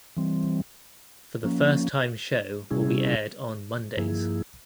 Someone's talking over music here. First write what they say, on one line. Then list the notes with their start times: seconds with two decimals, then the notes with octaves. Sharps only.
For the first time show will be aired on Mondays.
0.16 E3 G3 C4
1.44 F3 A#3 C#4
2.70 C3 G3 C#4 E4 G#4
3.97 G2 F3 A#3 E4 G#4